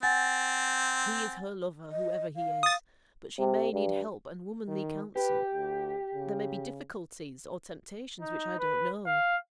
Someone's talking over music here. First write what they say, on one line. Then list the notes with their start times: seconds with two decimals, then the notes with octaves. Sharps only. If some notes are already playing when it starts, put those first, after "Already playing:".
He is her lover, whoever he is; but she may need help and womanly counsel;--there may be difficulties or temptations which I don't know.
0.03 C4 F#5 G#5 A6
1.91 D#5
2.36 F5
2.63 D#6 A6
3.39 C3
3.73 G2
4.69 D#3
5.16 G4 B4
5.54 D2
6.15 C#3
8.21 D#4
8.59 B4
9.06 F5